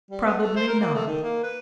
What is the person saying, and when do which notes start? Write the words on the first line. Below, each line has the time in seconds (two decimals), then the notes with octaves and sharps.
Probably not.
0.11 G3
0.25 B3
0.42 A3
0.56 C5
0.68 A#4
0.80 A#3
0.94 A3
1.07 D#3
1.23 A#3
1.43 B4